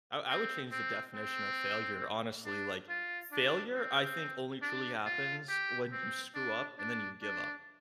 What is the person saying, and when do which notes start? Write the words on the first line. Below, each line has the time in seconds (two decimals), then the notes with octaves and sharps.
I I would change the definition of failure, honestly. Like, failure, I think, only truly happens when you screw up and then you give up.
0.29 C4
0.72 C4
1.15 C4
2.46 D4
2.89 F4
3.32 D4
3.75 C4
4.62 D4
5.05 F4
5.48 G4
5.92 C4
6.35 D4
6.79 D4
7.22 D4